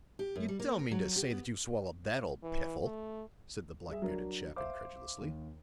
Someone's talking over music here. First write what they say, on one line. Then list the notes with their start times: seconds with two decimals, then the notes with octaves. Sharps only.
"You don't mean to say that you've swallowed that old piffle!" said the black-bearded chap incredulously.
0.19 G4
0.35 F#2
0.48 G3
0.59 A#3
0.79 A#4
0.91 F#3
1.16 G4
1.30 B3
2.43 E3
2.84 A3
3.89 G3 G#4 E5
4.02 F#3 D4 A#4
4.56 C5 E5 F5 D6
5.21 D#2